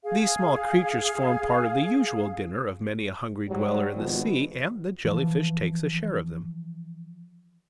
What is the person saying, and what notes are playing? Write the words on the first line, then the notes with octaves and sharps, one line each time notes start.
These small creatures form part of the usual dinner of many a hungry dweller in the sea, and the Jelly-fish takes a share of them.
G#4 F5
G#2 F#3 G3
G#1 B2 F3
E3 F3